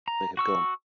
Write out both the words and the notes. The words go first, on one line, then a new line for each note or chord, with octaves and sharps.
They have gone.
A#5
F#4 C#6 E6